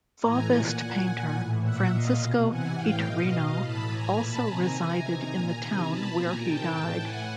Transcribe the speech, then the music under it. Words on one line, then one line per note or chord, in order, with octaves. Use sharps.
Fauvist painter Francisco Iturrino also resided in the town where he died.
A2 E3 G#5 A#5
A#2 F#5 G#5
A#2 F#5 G#5
A#2
A2 E3
A#2 E5 F#5
A#2 D#5 F5
B2
C3 E3 F#5 G#5
A2 E3 F5 G5
B2 D#5 F5
B2 D#5 F5
A2 E3 A5 B5
A2 E3 G#5 A#5
A#2 A5 B5
C3 D#3 G#5 A#5
C3 E3
C3 D#3
A#2 G#5 A#5
C3 D#3
B2 A5 B5
A#2 G#5 A#5
C3 D#3 G5 A5
A2 E3
A2 E3 F#5 G#5